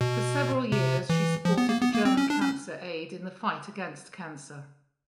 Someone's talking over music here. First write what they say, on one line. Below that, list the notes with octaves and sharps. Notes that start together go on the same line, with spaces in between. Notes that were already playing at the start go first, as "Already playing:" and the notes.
For several years she supported the German Cancer Aid in the fight against cancer.
B2
C3
E3
F3
B3
A#3
B3
A#3
C4
C#4
D4
C#4